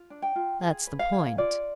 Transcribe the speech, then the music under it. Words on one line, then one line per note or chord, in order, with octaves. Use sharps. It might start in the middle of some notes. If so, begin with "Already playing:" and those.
'That's the point.
Already playing: F4
D4
G5
F4
G#4
B4
F5
G#4
F4 D5